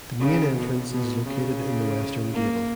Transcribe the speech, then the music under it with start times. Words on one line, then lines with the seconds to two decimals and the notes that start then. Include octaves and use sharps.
The main entrance is located in the western gable.
0.20 C#3
0.56 B2
0.91 B2
1.27 C#3
2.33 A#3